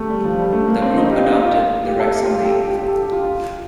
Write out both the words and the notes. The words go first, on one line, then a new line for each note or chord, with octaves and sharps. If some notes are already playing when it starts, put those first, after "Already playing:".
The group adopted the Rexel name.
Already playing: A3 G4
G3
F3
G3
A3
A#3
C4
D#4
G4
F4
D#4
F4
G4
A4
A4
G4
F4
G4
A4
G4
G4
A4
G4
F4
F4